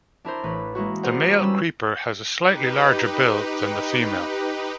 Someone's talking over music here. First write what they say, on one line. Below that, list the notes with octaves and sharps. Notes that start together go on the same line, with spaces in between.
The male creeper has a slightly larger bill than the female.
D4 E4 A#4 C5
A1 B4
G#3 A#3 E4 F#4
G#4 A#4 C5 D5 F#5
G3 C#4 B4 E6
D#4 G4 B4